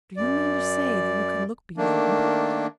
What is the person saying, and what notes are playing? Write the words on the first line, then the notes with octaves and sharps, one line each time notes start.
"Do you mean to say that you can look beyond it?"
F#2 D5
D#3 A3 A#3 D4